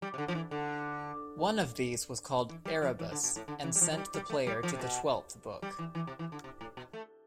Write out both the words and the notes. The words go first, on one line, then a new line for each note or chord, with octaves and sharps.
One of these was called "Erebus" and sent the player to the twelfth book.
G3
C3
D3
F3
E3
D3
E3
G3
F3
E3
D3
B2
A2
D3
E3
G3
F3
F3
G3
G3
A3
G3
F3
C3
B2
G3
E3
E3
C3
E3
D3
C3
A2
B2
A3